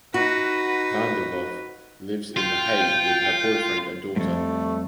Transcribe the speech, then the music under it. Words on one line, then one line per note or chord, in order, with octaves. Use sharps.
Van der Werf lives in The Hague with her boyfriend and daughter.
D#4 F#4 B4
F4 G5
F2 G#2 G3 A3